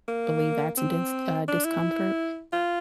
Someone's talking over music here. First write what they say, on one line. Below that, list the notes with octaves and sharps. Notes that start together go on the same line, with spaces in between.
believe that's a dense uh, discomfort,
A#3
C4
D4
E4
F4